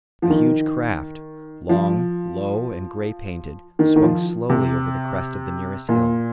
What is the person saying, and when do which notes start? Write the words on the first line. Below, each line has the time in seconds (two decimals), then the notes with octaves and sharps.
A huge craft, long, low, and gray-painted, swung slowly over the crest of the nearest hill.
0.22 F3
0.30 D#3
1.69 F3
3.79 D#3
3.96 D#3
4.03 F3
4.50 C3
5.89 A#2